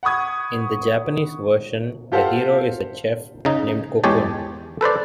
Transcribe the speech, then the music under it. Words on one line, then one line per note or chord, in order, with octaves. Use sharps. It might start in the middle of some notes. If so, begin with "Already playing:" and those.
In the Japanese version, the hero is a chef named Kokkun.
F#5 B5 C#6 D#6 G#6
F4 G4 A4 C5 F5 F#5
C#3 D#4
E2 G#3 G4 C#5 A5
A4 B4 C5 D5